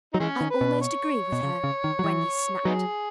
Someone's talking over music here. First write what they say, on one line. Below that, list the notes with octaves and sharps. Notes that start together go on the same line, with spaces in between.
'I almost agree with her,' Wendy snapped.
F#3 D#4
E3 G#3 C#4
D#3
B4
B2
C#5
B2
C#3
C#3
D#3
F#3
E3
F#3 B3 D#4 G#4